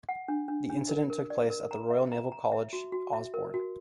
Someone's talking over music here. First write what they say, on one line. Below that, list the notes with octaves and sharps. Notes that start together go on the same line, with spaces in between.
The incident took place at the Royal Naval College, Osborne.
F#5
D4
D4
D4
A#4
A#4
D5
A#4
A#5
E5
A#5
A#5
E5
F#4
F#4
E5
A#4
F#4